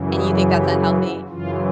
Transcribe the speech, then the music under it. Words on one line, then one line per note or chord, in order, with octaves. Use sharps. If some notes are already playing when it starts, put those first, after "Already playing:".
And you think that's unhealthy?
Already playing: F#2 C#3 E3
G#4
G4
F#4
F#2 C#3 E3 F4